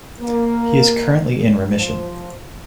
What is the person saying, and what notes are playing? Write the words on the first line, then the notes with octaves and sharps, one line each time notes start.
He is currently in remission.
A#3
F3